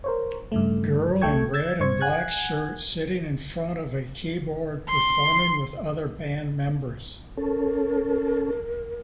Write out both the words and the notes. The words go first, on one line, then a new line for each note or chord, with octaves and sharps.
Girl in red and black shirt sitting in front of a keyboard performing with other band members.
A#4 C5 C#5
G2 C#3 A3
C2 A3 A4 G5 C#6 G#6
E6 G#6 A6
G2 C5 C#6 G#6
F#5 G#5 F#6 G#6
C6
C#4 A4 A#4